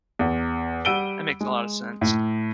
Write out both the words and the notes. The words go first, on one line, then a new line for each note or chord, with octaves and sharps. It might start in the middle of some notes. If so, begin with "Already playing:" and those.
That makes a lotta sense.
E2
G3 F#5 E6 D7 D#7 G7
G#3
A2